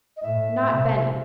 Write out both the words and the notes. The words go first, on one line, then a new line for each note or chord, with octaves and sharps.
Not Benny!
D#5
A2 E5
C3